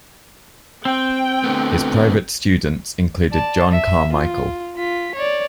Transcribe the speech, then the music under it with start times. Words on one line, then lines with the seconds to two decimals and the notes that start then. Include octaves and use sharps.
His private students included John Carmichael.
0.85 C4 G5
1.44 D3 A3 B3
3.32 D5 A5
3.72 E5
4.13 F4
4.76 F4 B6
5.15 C#5 D5